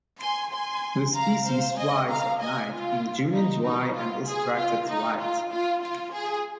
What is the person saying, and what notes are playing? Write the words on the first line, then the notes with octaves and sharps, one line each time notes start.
The species flies at night in June and July and is attracted to light.
G#5 C6
G#5 C6
F5 A#5
C5 F5
D#5 G#5
F5 A#5
D#5 G#5
F4
D#4
D#4
F4
G#4
F4
D#4
F4
F4
F4
G#4